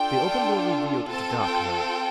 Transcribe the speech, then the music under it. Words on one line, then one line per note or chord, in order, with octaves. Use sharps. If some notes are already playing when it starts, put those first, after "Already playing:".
The open door revealed the dark night.
Already playing: D4 F4 A4 G5
C4 F4 A4 A5
G5
G5